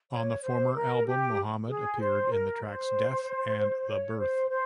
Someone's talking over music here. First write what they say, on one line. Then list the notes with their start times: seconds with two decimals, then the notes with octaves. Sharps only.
On the former album, Muhammad appeared in the tracks "Death" and "The Birth".
0.11 C#5
0.42 C5
0.74 A#4
1.06 G4
1.68 G#4
1.99 C5
2.31 A#4
2.62 C5
3.87 C#5
4.18 C5
4.49 C5